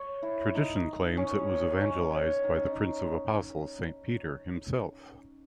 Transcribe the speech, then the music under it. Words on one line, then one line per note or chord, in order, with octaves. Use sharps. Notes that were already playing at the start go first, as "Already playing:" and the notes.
Tradition claims it was evangelized by the Prince of Apostles Saint Peter himself.
Already playing: C#5
E4
D#4
C#4
C#4
D#4
C#4
D#4